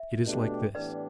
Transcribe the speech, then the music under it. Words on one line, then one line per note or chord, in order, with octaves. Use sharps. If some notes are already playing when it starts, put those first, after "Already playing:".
It is like this.
Already playing: E5
B2 A3 D4 G4
A2 E3 B3 D4 G4 B4 D5